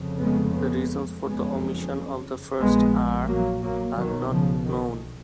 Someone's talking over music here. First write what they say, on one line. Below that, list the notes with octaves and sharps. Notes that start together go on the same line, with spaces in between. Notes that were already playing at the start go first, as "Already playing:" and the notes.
The reasons for the omission of the first "r" are not known.
Already playing: F1 F2 C#3
G#3 B3
G#3 B3
F#1 F2 C#3 G#3 B3
A#1 A#2 G#3 B3
F#3 A#3
F#3 A#3
B1 B2 D#3 F#3
C#3 F3
D#3